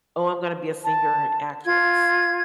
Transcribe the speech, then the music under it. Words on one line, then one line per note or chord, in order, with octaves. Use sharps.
"Oh, I'm gonna be a singer and an actress,"
A5
F4 G#6